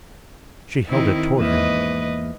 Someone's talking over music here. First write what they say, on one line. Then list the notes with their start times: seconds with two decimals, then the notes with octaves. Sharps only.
She held it toward him.
0.88 D#3 C4 E4
1.39 E2 G#2 A#3 B4 D#5 E5